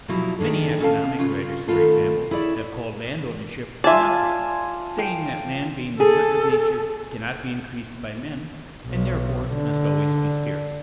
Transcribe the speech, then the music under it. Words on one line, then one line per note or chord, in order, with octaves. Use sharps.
Many economic writers, for example, have called landownership monopoly, saying that land being the work of nature cannot be increased by men, and therefore must always be scarce.
B2 F3 F#3 E4 G4
D#3 D4 G#4 A4
C#4 A4 B4 E5 F5 A5
C#3 C#4 F4
D#3 A3 B3 F4 A4
E4 G#4 C#5 D5 E5
F4 D5 E5 G#5 A5
G5
G#4 A4
B1
D3